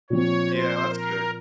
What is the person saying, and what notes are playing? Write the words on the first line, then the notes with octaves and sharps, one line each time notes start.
Yeah, that's good.
A#2 F3 C4 C#5
C5
A#4